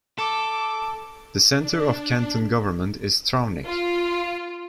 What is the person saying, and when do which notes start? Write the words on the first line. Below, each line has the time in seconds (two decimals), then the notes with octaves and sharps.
The center of canton government is Travnik.
0.18 A4 D6
1.50 D4
3.66 F4